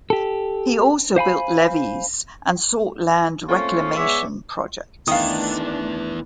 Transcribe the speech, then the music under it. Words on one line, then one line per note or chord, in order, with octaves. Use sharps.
He also built levees and sought land reclamation projects.
G4 A4
C5 F5 G#5 B5
A3 A#3 C4 C#4 F4 F5
G#3 B3 C#5 D5 E5
D#3 A3 B3 D4 E4 F5 D#6